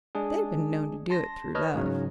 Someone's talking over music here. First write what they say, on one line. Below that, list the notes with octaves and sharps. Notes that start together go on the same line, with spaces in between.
They have been known to do it through love.
G#3 D4 G#4
A5 C6 A#6
B4 C#5 D#5 A5 F6
G#2 C#3 F#3